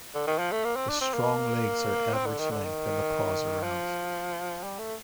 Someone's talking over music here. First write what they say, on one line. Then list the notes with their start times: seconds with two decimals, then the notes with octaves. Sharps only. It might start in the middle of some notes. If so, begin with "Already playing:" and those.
The strong legs are average length and the paws are round.
0.15 D3
0.27 D#3
0.39 F3
0.52 A3
0.64 A#3
0.76 C4
0.89 D4
1.01 C4
1.14 A#3
2.14 C4
2.26 D3
2.39 D#3
2.51 D3
2.64 D#3
3.63 F3
4.63 G3
4.79 A3